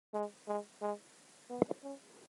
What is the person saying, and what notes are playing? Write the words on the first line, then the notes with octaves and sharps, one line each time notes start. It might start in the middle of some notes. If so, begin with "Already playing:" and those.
Buildings can be destroyed if a monster directly attacks or is thrown into it.
G#3
G#3
G#3
B3
C#4